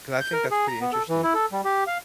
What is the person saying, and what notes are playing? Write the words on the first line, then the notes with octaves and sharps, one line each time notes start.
'cause I think that's pretty interesting.
G6
A#4
G#4
A#5
B3
A4
E3
E4
A4
G3
G4
F5